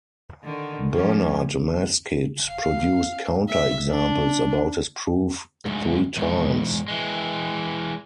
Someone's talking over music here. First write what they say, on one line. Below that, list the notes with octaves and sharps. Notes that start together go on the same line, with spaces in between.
Bernard Maskit produced counter examples about his proof three times.
D3 D#3
F3 G3 C#4
F5
E5
D4
D2 G#2
E2 G#2
E3 G#3